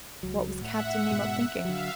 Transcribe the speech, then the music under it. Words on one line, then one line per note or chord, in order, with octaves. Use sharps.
What was Captain Nemo thinking?
C#2 F#3
A2 E5 F#5
G#2 B2 G#3
D3 F#3 E5 F5